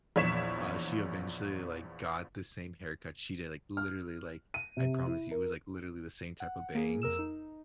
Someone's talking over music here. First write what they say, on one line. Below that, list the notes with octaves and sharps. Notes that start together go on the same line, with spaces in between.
like, uh, she eventually, like, got the same haircut she did, like, literally, like, I promise you, it was, like, literally the same type of bangs.
A#1 E2 C#5 B6 E7
F6
D#7
C3
E4
A#4
F#5
A#3 G#4
F2 A#4 E6 E7
D#4